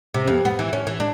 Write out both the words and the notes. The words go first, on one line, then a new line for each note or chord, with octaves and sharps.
In, eh
C3
F2
B3
E3
C#4
E3
D4